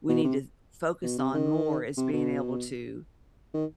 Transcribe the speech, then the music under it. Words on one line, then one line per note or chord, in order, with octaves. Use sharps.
we need to focus on more is being able to
B2
C3
B2
C3
D#3
C3
B2
D#3